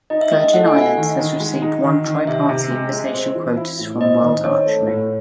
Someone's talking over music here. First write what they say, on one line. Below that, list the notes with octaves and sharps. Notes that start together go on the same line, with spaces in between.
Virgin Islands has received one tripartite invitation quotas from World Archery.
D#4 D#5
E5
G#3 D#5
A3 F#5
G#5
E4
F#5
D#3
D#3
G#3
D#4
D#3
D#3
C3 E5
C3
G#3
G#3
C4
E3
E4
A2
C4 D#5
D#3
C4 C#5
A3
A2